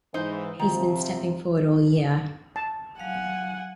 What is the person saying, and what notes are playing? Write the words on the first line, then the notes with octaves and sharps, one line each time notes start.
He has been stepping forward all year.
G#2 E3 D#4 C5
C3 D#3 F3
A5
F#3 F5 F#5 G#5